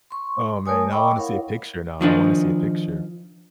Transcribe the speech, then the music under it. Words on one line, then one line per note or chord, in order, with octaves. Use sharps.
Oh, man. I wanna see a picture now. I wanna see a picture.
C6 C#6
A3 A#4 C#5 G#5 D#6
D#5 G5 B5 C#6 D6 E6
E4 A#4 C#5 F5 F#5
D#3 F3 D4 D#4